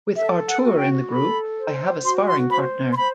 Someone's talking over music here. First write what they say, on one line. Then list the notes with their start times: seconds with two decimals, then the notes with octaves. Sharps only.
With Artur in the group, I have a sparring partner.
0.16 A4 E5
0.47 F#5
0.64 F#4
0.78 G5
1.10 A4 B5
1.57 C5
2.04 F#4 C6
2.27 C6
2.50 C5 B5
2.92 C6
2.97 C5 B5